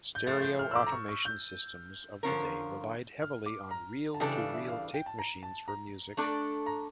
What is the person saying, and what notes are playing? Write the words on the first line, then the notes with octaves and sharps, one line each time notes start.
Stereo automation systems of the day relied heavily on reel-to-reel tape machines for music.
G6
A2 F3 A3 A6
G6
F6
E6
D6
A#5
C#6
C#6
G6
D3 F3 C#4 F4 A#4
F6
D6
A#5
A5
C#3 E3 G3 D4 A4 G5
F5
E5
F5
F5
G5
A5
A#5
A5
A#5
A3 D4 A4 D5
A#5